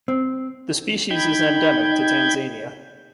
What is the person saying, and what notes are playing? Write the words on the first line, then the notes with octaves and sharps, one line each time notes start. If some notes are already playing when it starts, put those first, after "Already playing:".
The species is endemic to Tanzania.
C4
D#4 G5 B5 G6 G#6